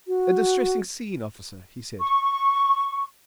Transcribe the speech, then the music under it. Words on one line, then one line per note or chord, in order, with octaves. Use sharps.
'A distressing scene, officer,' he said.
F#4
C#6